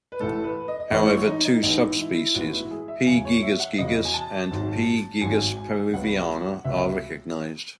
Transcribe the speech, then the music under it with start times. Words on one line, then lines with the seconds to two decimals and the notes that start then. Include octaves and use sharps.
However two subspecies "P. gigas gigas" and "P. gigas peruviana" are recognised.
0.12 B4
0.20 A1 A2 E3 A3 A4
0.44 B4
0.68 D#5
0.80 D#5
0.91 A1 A2 E3 A3 C#5
1.09 C#5
1.27 D#4
1.45 D#4
1.63 A1 A2 G#3 B3 D#4
1.99 E4
2.35 A1 A2 G#3 B3 F#4
2.53 E4
2.71 G#4
2.88 E5
3.07 E2 C#3 F#3 G#5
3.25 C#5
3.43 E5
3.60 F#5
3.78 E2 C#3 F#3 D#5
4.05 G#5
4.14 A5
4.51 G#1 G#2 F#3
5.21 G#1 G#2 F#3 G#5
5.57 G#5
5.93 C#2 C#3 F#3 B3 F#5
6.65 C#2 C#3 F#3 B3 E5